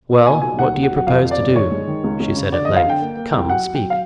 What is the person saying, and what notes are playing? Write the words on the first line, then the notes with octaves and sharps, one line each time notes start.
"Well, what do you propose to do?" she, said at length; "come, speak."
B3
A#2 G#5
B1 G#5
D#2 F#5
D#2
F#5
F#3
F#5
F2 F5
F2
D5
G1
D#3 C#5
G#3
D#3
C#2
C#2
C#3
D3 D5
F2 D#5
F5
D3 G5
A#3
A#3
C2
F#3 F#5
F#3
G5
F#3
F5